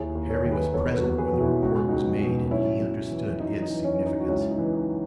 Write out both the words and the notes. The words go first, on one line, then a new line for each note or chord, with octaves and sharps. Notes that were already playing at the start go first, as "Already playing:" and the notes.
Harry was present when the report was made and he understood its significance.
Already playing: D#2 E4 G#4
D#2
A4 C#5
D#3
G#4 B4
E2 A4 C#5
B4
F#4 A4
E2
G#4 B4
B2 F#4
E4 G#4
C#2 F#4
G#4
C#2 D#4 F#4
B2
F#2 C#4 E4
F#2
E3
F#2 D#4
D#4
E3
C#4
F#2
D#4
F#4
C#2 C#4 E4
D#4
E3
D#4